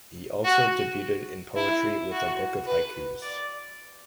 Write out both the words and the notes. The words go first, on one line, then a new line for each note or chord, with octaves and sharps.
He also debuted in poetry with a book of haikus.
F#4
E4
F#4
B4
D5